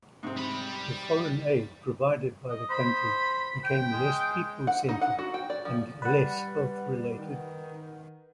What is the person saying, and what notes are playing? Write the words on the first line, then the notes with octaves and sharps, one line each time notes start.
The foreign aid provided by the country became less "people-centered" and less health-related.
G#2 C3 C4
G3 B5
D#5
C5 B5
G5
G#3
F#5
D#4
F#5
F#4
G5
D5
F3
G3 B4 F#5
D#3